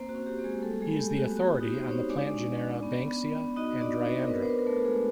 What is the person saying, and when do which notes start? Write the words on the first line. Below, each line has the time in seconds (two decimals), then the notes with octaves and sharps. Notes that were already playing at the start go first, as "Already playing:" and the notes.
He is the authority on the plant genera "Banksia" and "Dryandra".
Already playing: A#3 C4 C5
0.09 F#4
0.15 C#4
0.26 G4
0.39 A#3
0.44 G#3 G#4
0.63 G3 A3 A4
0.81 G#3 G#4
0.88 B3
0.99 G4
1.12 B3
1.18 F#4
1.36 B3 F#4
1.55 G4
1.61 D#4
1.74 C4 C5
1.86 D#4
1.91 C#4 C#5
2.09 G#3 D4 D5
2.35 C#4
2.58 C#4
2.83 B3
3.08 B3
3.32 B3
3.56 D#4 F#4 D#5
3.81 D4 F#4 D5
4.05 C4 D4 C5
4.22 A#4
4.30 B3 D4 B4
4.42 C5
4.49 B4
4.54 D4 A#4
4.67 A3 A4
4.78 F#4
4.85 G#3 G#4